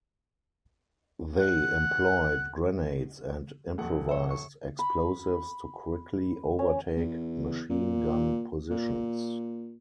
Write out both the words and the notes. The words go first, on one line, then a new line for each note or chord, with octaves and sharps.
They employed grenades and improvised explosives to quickly overtake machine gun positions.
F#5
D#1 F2 F#5
C#5 E5
C#6
B5
C#4
E2
A#2
A#2